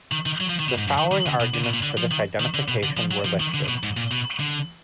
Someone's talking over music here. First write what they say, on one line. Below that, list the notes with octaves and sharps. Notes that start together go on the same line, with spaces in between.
The following arguments for this identification were listed.
D#3
D#3
F#3
F3
D#3
B2
G#2
F#2
D#3
D#3
D3
B2
D3
B2
A#2
D3
F3
D#3
D#3
D3
B2
D3
F3
F#3
F3
D#3
D3
B2
G#2
A#2
B2
D3